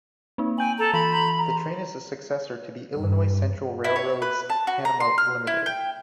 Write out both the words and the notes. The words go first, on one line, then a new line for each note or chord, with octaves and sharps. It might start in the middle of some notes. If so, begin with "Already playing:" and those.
The train is a successor to the Illinois Central Railroad's "Panama Limited".
A#3 C4 D#4
G5 G#5 G6 F#7
A4 A5 A#5
E3 A4 B5 C6
A#5 G6
A#5
G2
E4
C#5
B4
A5
F#4
A#5
C6
F6
E4
G5